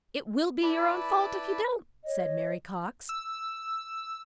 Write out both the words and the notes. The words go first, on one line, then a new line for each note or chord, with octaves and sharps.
"It will be your own fault if you don't," said Mary Cox.
E4 B4 D5 A5 B5
C#5 D#5
E6